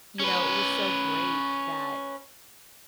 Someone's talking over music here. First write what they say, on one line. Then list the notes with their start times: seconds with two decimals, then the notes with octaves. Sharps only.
you know, it was so great that
0.20 C#4 B4